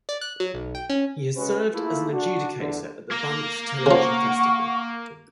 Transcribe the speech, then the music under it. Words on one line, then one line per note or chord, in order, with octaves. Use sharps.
He has served as an adjudicator at the Banff Television Festival.
D5
F#6
F#3
B1
G5
C#4
C#3 G#3 C#4 F#4 B4
A3 A#3 E4 F4 G#4
D4 F#4
E2 D3
A#3 A#4
C#3 F3 F#5 C#6